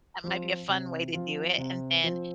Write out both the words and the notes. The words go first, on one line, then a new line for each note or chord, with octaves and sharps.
that might be a fun way to do it. And then,
F3 C4 F4
C3
F3 C4 F4
C3
F3 C4 F4